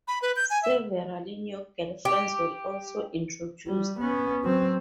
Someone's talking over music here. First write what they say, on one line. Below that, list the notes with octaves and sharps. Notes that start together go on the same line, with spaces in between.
Several new girlfriends were also introduced.
B5
B4
G6
G#5
E5
G4
G3
B3 C#4
F#3 C4